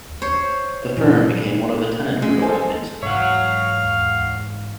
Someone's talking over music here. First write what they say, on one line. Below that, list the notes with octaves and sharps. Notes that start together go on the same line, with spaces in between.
The firm became one of the Tennant group of companies.
C5 C#5
A#2 E3 D4
G#3 A3 C#4 G#4
A4 C5 G#5
G#2 B2 E3 C#5 F5 F#5